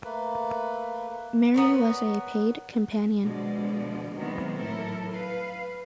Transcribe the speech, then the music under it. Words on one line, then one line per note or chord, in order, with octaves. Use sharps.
Mary was a paid companion.
A3 A#3 B4
B3 A#4 C#5
B2 D3 F3 G#3 D5
D#3 E3 F#3 G#3 B3 C4
A2 F#3 E4 A4 A#4
B4 F5